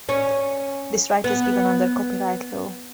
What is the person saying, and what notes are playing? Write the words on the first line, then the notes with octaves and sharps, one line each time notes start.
This right is given under copyright law.
C#4
B3